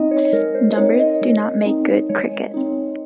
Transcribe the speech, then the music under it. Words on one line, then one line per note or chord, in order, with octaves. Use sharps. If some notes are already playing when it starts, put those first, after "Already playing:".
Numbers do not make good cricket.
Already playing: C4 D#4 D#5
C#5
G#3 A#4
C5
C4 D#4 C#5
D#5
G#3
C4 D#4
G#3 C#5
C4 D#4